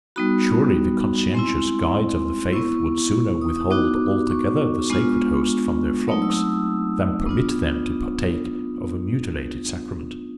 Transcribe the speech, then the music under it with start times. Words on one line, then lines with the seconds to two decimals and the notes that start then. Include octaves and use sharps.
Surely the conscientious guides of the faith would sooner withhold altogether the Sacred Host from their flocks than permit them to partake of a mutilated Sacrament.
0.16 G3 B3 D#4 F#4 B5
1.34 G#3 C4 E4 C6
2.53 B3 E4 C#6
3.41 D#6
3.56 D#6
3.71 B3 D#4 F#4 D6
4.30 C#6
4.90 G#3 B3 D4 F4
6.07 F#3 A3 C4 D#4 D#6
6.22 E6
6.37 E6
6.52 D#6
7.26 B3 D4 F4